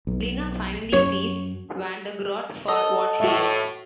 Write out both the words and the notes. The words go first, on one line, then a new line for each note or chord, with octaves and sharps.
Lina finally sees Vandergroat for what he is.
B1
F#2 C#5
A4 D#5
A2 F#4 E5